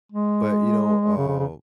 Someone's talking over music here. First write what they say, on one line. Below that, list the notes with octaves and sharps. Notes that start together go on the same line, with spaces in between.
but, you know, uh,
G#3
C#3
C#3
C#3